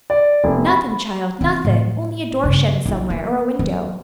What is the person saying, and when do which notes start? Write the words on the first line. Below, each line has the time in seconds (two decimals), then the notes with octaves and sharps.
"Nothin', child, nothin', only a door shuttin' somewhere, or a window."
0.10 D5
0.44 F1
0.66 B5
1.41 E3 C4
1.65 A2
2.44 G2 C#3
2.86 B1 F4
3.10 A#3
3.59 F#3